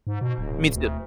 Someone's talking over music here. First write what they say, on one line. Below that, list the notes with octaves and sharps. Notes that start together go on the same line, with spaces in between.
Me too.
G#2
B2
D1
D2